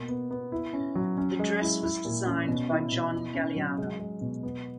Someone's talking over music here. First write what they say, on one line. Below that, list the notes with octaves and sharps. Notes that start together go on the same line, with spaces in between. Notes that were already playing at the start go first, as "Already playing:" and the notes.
The dress was designed by John Galliano.
Already playing: B2 A#3
B3
B3
E4
C#4
F#3
C#4
G#3
E4
E4
A#2
C#4
B2
E4
B2
E4
C#4
F#3
G#3
G#3
B2
B3